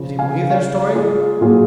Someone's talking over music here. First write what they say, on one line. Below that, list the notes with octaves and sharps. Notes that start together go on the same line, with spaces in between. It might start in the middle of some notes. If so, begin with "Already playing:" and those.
Did he believe their story?
Already playing: C#3 F3
F5 G#5
C#5 F5
F4 G#4
A#2 F#3 F4 G#4